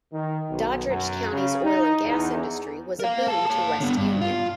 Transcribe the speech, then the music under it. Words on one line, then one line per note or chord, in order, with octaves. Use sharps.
Doddridge County's oil and gas industry was a boon to West Union.
D#3
B1
F#2
C#3
D#4
E2
A#4 F5
G#4 A5
C#5 A5
D3 B3
G2
F4